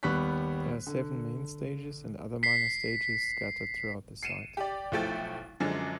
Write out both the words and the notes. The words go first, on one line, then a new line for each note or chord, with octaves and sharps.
There are seven main stages and other minor stages scattered throughout the site.
D#2 G3 B3 C#6 F#6 B6
D3
B6 C7
C7 C#7 D#7 E7
G4 D5
B1 F3 A3 E4 G5 A6
F#2 D3 F3 G#3 D4